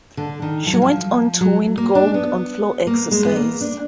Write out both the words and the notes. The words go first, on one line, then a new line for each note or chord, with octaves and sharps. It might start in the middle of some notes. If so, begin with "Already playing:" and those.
She went on to win gold on floor exercise.
D3
D#3
F3
F#3
F3
F#3
A#3
D4
B3
A#3
G#3
B3
A#3
D4